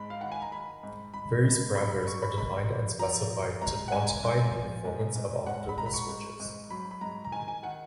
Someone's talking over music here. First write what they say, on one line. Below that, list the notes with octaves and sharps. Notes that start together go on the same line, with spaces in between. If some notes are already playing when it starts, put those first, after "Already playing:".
Various parameters are defined and specified to quantify the performance of optical switches.
Already playing: G#2 B5
F5
D#3 F#5
G#5
A#5
D#3 B5
G#2
G#2 B5
G#2
F#3 B5
B5
F#3 C#6
B5
G#2 B5
F3
F3 A#5
F3
G#2 A#5
F#5
G#2 G#5
G#2
F3
G#2
G#2
G#2 F#5
B5
G#2 A#5
B5
C#6
G#2
G#2
F#3 B5
B5
G#2 A#5
A#5
D#3 G#5
G#5
D#3 F#5